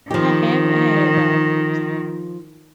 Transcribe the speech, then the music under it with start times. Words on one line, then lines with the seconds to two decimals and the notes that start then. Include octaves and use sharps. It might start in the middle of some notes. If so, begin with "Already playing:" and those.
I haven't had those.
0.10 D#3 F3 G4